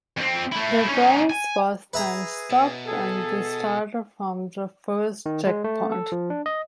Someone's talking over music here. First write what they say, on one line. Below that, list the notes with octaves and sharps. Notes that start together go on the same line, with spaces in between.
The race was then stopped and restarted from the first check point.
F2 C4
A3 E4
C#4 D#4
G#5
G#4 B4 E5 A#5
B2
G#4 A4
D#3
G#3
A3
A4
F3
D4
D#5